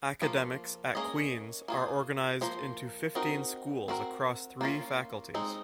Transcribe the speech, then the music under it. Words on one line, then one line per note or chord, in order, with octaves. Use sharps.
Academics at Queen's are organised into fifteen schools across three faculties.
F3 A#3 F4
A#3 C#4 G#4 D#5
A#3 F4 G#4
F3 A#3 F4 C5
C4 D#4 F#4 A#4
C4 F#4 A#4
A#3 C#4 F4
G#3 C4 D#4